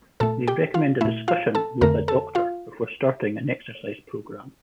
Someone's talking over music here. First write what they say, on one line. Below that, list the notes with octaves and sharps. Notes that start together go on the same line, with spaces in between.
They recommend a discussion with a doctor before starting an exercise program.
A#2 A3 A4 A5
G4 G5
F4 F5
A#2 A3 E4 E5
F4 F5
A4 A5
F2 D3 A3 A#4 A#5
A4 A5
F4 F5